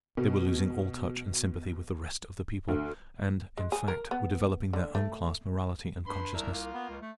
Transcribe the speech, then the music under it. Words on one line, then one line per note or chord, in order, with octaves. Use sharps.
They were losing all touch and sympathy with the rest of the people, and, in fact, were developing their own class morality and consciousness.
B2
D2
G#3
G#4
A#4
B3
D3
A3
G2 B5 C6
C2 D4 A#4 E5
A#3 F4
B3
C#2
A3